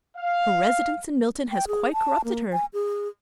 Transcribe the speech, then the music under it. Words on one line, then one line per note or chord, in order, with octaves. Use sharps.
Her residence in Milton has quite corrupted her.
F5
G5
G#4
A5
A#3
G#5
G#4